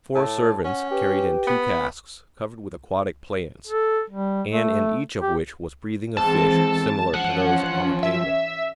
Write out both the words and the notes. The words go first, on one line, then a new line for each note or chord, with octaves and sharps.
Four servants carried in two casks covered with aquatic plants, and in each of which was breathing a fish similar to those on the table.
A2 A5
C#4 F#5
G4 B4
B3
A4
G3
A3
G4
G#2 E3 C4 A4 A5
E3 F3 C#4 F#5
E5